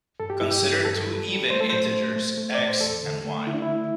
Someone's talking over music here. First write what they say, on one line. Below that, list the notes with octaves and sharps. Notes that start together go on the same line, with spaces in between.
Consider two even integers "x" and "y".
G2 A4
G4
G2 E4
G4
G2
G2 A4
G3
G3
A3 C5
A4
A2 C5
A3
A3
A3
A2 D5
C5
E2 A4
D3
A3
D3 E4
D4
E4
A3